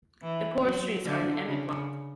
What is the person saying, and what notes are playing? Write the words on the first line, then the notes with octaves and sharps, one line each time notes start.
The poorest streets are in the Emmett Block.
E3
F#3
D3
C#3